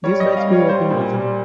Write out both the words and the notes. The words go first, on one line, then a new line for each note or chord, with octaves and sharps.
Nisbet grew up in Buffalo.
G3 C#5
D#5
G3
F5
G3
C#5
G3 C5
A#2
G3